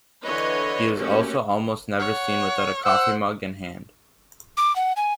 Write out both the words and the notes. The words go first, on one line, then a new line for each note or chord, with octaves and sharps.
He is also almost never seen without a coffee mug in hand.
D3 E3 B4 C#5 D#5
A3 A#3 C#4 F#4 G4 A#4
C#5 F#5
C5 F#5 E6
D6
F#5
G#5